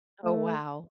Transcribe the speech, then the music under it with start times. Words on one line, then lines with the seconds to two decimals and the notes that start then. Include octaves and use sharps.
Oh, wow.
0.24 A3